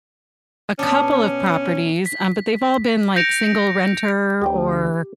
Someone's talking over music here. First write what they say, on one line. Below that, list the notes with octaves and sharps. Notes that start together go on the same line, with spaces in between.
a couple of properties, um, but they've all been, like, single-renter or,
B2 B3 C#4 D4
B6
G6 A#6 C#7 D7 F7
D2 G4 G5